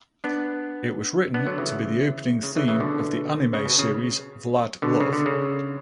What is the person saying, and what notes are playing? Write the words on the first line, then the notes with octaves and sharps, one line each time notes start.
It was written to be the opening theme of the anime series "Vlad Love".
B3 D4
B3 D4
D3 F#3
C#3 E3
C#3
C#3 E3
C#3 E3
B2 D3
C#3
B2
C#3
B2 D3
C#3
D3
C#3